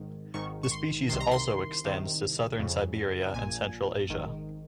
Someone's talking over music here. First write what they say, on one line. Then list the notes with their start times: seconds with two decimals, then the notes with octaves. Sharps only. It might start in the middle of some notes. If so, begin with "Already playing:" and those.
The species also extends to southern Siberia and Central Asia.
Already playing: G#1 G#2 D#3
0.34 G#1 G#2 D#3 C#6
0.63 C#6
0.71 C6
1.09 C2 C3 D#3 C6
1.20 A#5
1.31 C6
1.85 C2 C3 D#3
2.60 F2 C#3
3.34 A#1 A#2 G#5
4.09 G#1 G#2 D#3